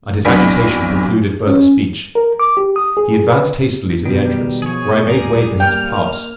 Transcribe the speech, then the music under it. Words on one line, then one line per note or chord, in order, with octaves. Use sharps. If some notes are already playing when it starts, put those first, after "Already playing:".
And his agitation precluded further speech; he advanced hastily to the entrance, where I made way for him to pass.
B1 E2 C3 D4 B5 B6
C#4
A#4
D6
G4
D#6
G#4
B4
B2 D#3 G3 B3
F3 G#4 C#5
D#2 G3 G#4 A#5 D#6
A#3 G5 F6